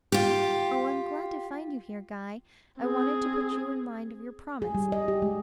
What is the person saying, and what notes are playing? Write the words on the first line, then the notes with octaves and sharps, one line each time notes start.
'Oh, I am glad to find you here, Guy; I wanted to put you in mind of your promise.
F4 G4
C4 G#4
G#4
G3
D#5
G4
G#3